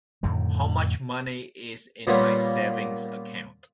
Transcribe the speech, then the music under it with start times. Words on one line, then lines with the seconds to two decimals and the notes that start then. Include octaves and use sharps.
How much money is in my savings account?
0.23 F2 A2 D3 D#3
2.07 A#2 G3 A#3 B3 C#4 F4